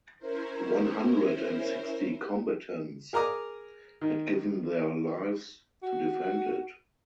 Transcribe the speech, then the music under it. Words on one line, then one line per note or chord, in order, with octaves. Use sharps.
One hundred and sixty combatants had given their lives to defend it.
C#4 E4 A#4 C5
G#4 A#4 A#5 D6 D#6
D#3
F#4